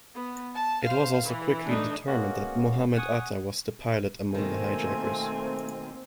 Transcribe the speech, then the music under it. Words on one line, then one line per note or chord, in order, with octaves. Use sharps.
It was also quickly determined that Mohamed Atta was the pilot among the hijackers.
B3
A5
C5 F5
E3
A3 D4 D#4
G#3 A#3 B3 C#4 F#4
F#5 G#5 C#6 D#6
B2 D#3 A3 A#3 C4 G#5